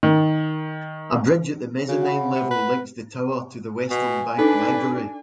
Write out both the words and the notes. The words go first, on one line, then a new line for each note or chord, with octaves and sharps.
A bridge at the mezzanine level links the tower to the Western Bank Library.
D#3
C#3 F#4
F#5 B5
C3
B4
B2 G#5
D4 D#4 A4 B4